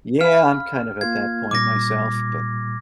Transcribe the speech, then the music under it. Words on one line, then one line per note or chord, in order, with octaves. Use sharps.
Yeah, I'm kind of at that point myself, but
F5 B5 F6
A#3 F4 F5 G#6
A#2 G3 D6 A#6